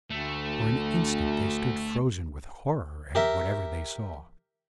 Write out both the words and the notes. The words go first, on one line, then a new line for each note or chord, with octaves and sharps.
For an instant they stood frozen with horror at whatever they saw.
D2 A3
G4 A#4 E5